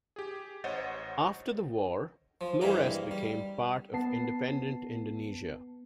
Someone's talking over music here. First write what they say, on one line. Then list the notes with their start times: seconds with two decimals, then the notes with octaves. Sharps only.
After the war Flores became part of independent Indonesia.
0.16 G4 G#4
0.64 A1 C5 C#5 D#5 F#5 A6
2.41 F3
2.61 G2 E3 G#3 A#3 A#4
3.11 G3
3.93 B3 A5 C7